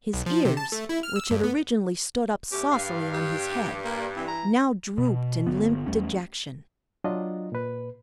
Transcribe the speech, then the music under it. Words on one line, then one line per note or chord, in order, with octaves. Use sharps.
His ears, which had originally stood up saucily on his head, now drooped in limp dejection.
B1
F3
C3
A5
A3
E4
F6
E6
G2
B3
B2 A3 C#4 G4
G2 F5
G4
A#3
E3 C4
A#5
B2
G1 D#2 D3 B3
E2 G3 A3 C#4
F#3 D4 F4 D#5
A#2 B4